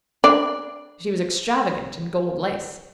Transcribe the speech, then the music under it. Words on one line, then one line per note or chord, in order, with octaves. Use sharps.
She was extravagant in gold lace.
D4 D5